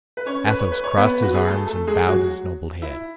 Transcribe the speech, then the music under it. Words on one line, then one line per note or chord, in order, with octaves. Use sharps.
Athos crossed his arms and bowed his noble head.
B4
C#4 C#5
B4
C#5
B4
C#5
B3 B4
F#4
G#4
A3 A4
A3 A4
G#3 G#4
F#3 F#4
E4